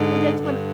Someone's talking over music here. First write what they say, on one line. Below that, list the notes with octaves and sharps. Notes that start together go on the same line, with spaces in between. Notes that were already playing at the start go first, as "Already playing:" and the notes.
Well, that's what
Already playing: G#2 D3
G2